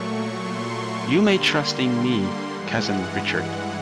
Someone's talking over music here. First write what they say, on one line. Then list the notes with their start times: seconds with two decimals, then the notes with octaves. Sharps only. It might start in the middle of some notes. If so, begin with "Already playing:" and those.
You may trust in me, cousin Richard.
Already playing: A#2 F#3 A3 C#6
0.34 C6
1.07 D3 G3 A#3
2.53 G2 E3 G#3 F#5
3.26 F#5